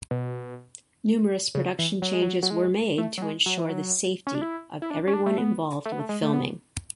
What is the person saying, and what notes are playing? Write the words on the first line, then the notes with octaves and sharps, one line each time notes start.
Numerous production changes were made to ensure the safety of everyone involved with filming.
B2
C#3
E3
F#3
G#3
F#3
F#3
G#3
A3
F#3
G#3
F#3
E3
F#3
C#4
D4
E4
E4
D4
C#4
D4
A3
B3
A3
B3
A3
G#3
A3
B3